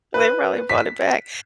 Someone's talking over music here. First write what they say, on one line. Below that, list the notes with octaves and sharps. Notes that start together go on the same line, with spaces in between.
they probably brought it back.
B4
B6